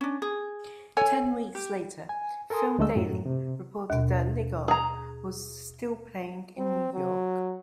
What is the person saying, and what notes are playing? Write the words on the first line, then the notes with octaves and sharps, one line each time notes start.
Ten weeks later "Film Daily" reported that "Legong" was still playing in New York.
C#4 D4
G#4
A4 C#5 G#5
G4
G#5
A4 A#4 G#5 C6 D#6
D2 D3 G#3 A3 D#5 E6
F#2 A2 F#3
C3
D#2 B2
G#4 A#5
C4
F#3